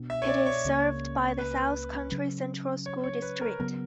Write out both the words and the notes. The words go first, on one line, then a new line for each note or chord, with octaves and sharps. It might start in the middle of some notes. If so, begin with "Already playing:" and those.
It is served by the South Country Central School District.
Already playing: B2 B3 D4
E5
C#5
D5
C#5
C#2 C#3 G3 A#3
B4
C#3 F#3 C#4
C#5
C#5
B4
A#4
C#3 F#3 B3 A#4